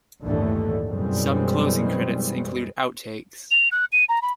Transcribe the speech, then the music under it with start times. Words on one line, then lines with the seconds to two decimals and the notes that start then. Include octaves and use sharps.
Some closing credits include out-takes.
0.22 G1 D#2 A2 D3 E3 A3
0.87 F#2 B2 E3 G3 G#3 C4
3.51 F7
3.72 F#6
3.92 D#7
4.09 A#5
4.22 B5